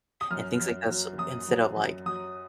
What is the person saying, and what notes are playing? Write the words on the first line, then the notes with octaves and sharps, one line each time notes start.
and things like that, so instead of, like
D#6
F#2 F6
F#2
F#3
F#2 D#6
F#3
F#2
F#3 D#6